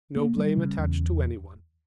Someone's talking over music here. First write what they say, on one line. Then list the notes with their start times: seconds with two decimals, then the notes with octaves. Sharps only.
No blame attached to anyone.
0.16 A#3
0.37 G3
0.57 C#3
0.78 E2